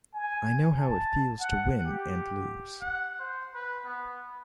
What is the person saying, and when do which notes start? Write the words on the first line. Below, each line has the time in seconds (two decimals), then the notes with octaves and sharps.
I know how it feels to win and lose.
0.14 G#5
0.78 A5
1.39 F#5
1.85 G4
2.81 F#5
3.19 C5
3.54 B4
3.85 B3